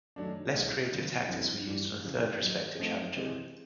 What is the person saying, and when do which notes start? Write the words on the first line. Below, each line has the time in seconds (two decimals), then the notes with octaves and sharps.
Less creative tactics were used on a third prospective challenger.
0.16 F#2 D#3 F#3 A3 D4
0.54 C2 B2 G#3
0.92 D#2 C#3 F#3 B3
1.29 F2 D3 G3 C4 E4
1.67 G2 E3 G3
2.04 F2 C#3 E3
2.42 G#2 D#3 F#3
2.79 F3 A3 C4 D#4
3.16 C3 E3 G#3 C4